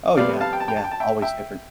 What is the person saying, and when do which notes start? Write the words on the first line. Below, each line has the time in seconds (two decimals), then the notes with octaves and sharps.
Oh, yeah, yeah. Always different.
0.17 F2 C3 G3 B3 D5 F5
0.40 F5 A5
0.53 G5
0.60 A5
0.68 G5
0.77 A5
0.84 G5
0.91 A5
1.00 E5 G5
1.22 E5 G5